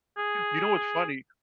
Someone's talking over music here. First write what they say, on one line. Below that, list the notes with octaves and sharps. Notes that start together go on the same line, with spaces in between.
you know, what's funny?
G#4